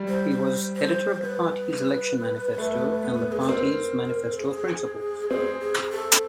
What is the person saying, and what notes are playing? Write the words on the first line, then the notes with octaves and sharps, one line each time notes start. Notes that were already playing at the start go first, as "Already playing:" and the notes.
He was editor of the party's election manifesto and the party's manifesto of principals.
Already playing: G3
C5
C5
C5
B4
A3
B3
G#4
A4
C4 A#4
A4
G#4
C4 G#4
G#4
G#4
A4